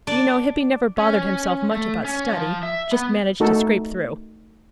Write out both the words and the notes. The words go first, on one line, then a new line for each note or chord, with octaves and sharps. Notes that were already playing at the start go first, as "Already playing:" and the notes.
You know Hippy never bothered himself much about study, just managed to scrape through.
D4 D5
C#4
A3
C#4
F3
E5
B3
A3 D#4 F#4 A4